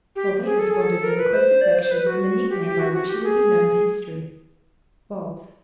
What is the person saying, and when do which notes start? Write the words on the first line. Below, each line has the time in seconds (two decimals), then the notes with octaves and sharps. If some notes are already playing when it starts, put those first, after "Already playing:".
While they responded with a close affection and the nickname by which he will be known to history--"Bobs."
0.16 G4
0.45 G#4
0.59 A4
0.70 G#4
0.81 A4
1.03 A#4
1.18 B4
1.33 C5
1.61 D5
1.71 C5
1.82 C5
1.91 B4
2.07 F#4
2.50 G4
2.65 G4
2.79 F#4
2.94 F#4
3.09 G4
3.24 G#4